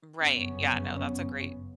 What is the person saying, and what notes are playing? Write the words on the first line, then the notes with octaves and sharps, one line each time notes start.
Right, yeah, no, that's a great
G1 F#2 C#3 B3 C#4